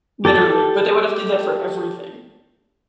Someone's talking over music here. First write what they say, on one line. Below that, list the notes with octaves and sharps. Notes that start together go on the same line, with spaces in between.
Literally, but they would have did that for everything.
G4 A4 A5